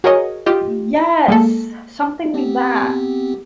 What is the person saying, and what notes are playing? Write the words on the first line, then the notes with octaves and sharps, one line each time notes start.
Yes, something like that.
F#4 G#4 A#4 C#5 D#5
F4 G4 D#5
G#3 A#3 A4
B3 C4 G4